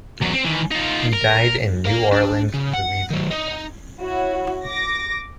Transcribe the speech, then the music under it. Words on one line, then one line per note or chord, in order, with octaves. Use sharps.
He died in New Orleans, Louisiana.
E2 F#3
C4
D#3 E3
D#4 F4
A#4
A#4 F5
D4
C#3
F#5
D#3 F#3
D#4
E4 F#4 C#5
D6 A#6